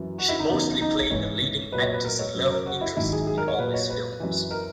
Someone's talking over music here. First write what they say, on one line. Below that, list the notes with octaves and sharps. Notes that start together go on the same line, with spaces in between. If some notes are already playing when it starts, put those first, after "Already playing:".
She mostly played the leading actor's love interest in all these films.
Already playing: F#2 E3
F#4
E4
D#4
E2 C#3 F#3
D#4
G#2 E3 C#5
A#2 F#3 B4
C#5
B4
A#4
C#5
F#2 C#3 F#3
A#4
F#4
E4
G#2 D#3 F#3 E4
G#4
G#4
A#4
C#5
A#2 F#3 B4
C#5
B4
F#2 E3
A#4